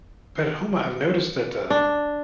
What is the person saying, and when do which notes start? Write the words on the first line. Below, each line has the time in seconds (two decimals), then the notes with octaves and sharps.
but at home, I've noticed that, um,
1.70 D4